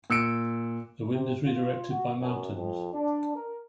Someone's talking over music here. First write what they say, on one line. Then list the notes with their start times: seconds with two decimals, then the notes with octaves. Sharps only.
The wind is redirected by mountains.
0.10 A#2 E6 C#7 D7
1.13 C3
1.45 F4
1.91 F#4
2.19 F#2
2.54 F2
2.93 D4
3.36 A#4